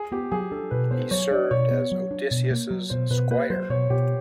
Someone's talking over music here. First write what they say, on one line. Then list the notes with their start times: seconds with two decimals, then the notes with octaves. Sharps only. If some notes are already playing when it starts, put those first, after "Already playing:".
He served as Odysseus's squire.
Already playing: G#4
0.12 B3 G4
0.32 F#3 G#4
0.52 D4 A4
0.71 B2 B4
0.91 B3 C5
1.11 F#3 C#5
1.31 D4 D5
1.51 B2 C#5
1.71 B3
1.92 F#3
2.11 D4
2.31 B2
2.51 A#3
2.71 F#3
2.90 B2 C5
3.10 B2 B4
3.30 A#3 B4
3.50 F#3 C5
3.70 B2 C#5
3.90 B2 G4